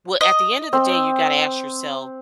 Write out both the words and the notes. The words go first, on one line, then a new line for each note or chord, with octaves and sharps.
well, at the end of the day, you gotta ask yourself,
D#5
C4